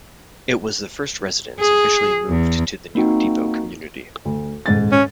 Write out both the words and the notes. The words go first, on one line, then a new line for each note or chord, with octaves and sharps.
It was the first residence officially moved to the new depot community.
G#4
E2
A#3 C4 D#4 F#4 G5
D2
D#1 G#2 A6
C#4